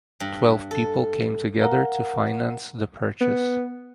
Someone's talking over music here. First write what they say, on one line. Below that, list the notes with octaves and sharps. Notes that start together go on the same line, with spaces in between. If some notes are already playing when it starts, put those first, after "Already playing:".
Twelve people came together to finance the purchase.
G2
A4
A#4 F5 F#5 A#5
B3